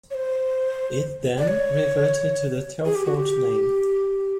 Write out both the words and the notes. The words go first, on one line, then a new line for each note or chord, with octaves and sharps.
It then reverted to the Telfort name.
C#5
C5
D5
C#5
G#4
G4
F#4
G4